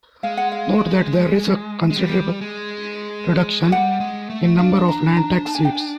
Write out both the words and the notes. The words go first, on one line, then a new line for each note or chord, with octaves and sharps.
Note that there is a considerable reduction in the number of Landtag seats.
G#3 F5
F#5
F5
G#3
G3
G#3
F#3
G3 F#5
G#3
A3
D4 F5
A#5
A#5
A5
G#5
G5
G#5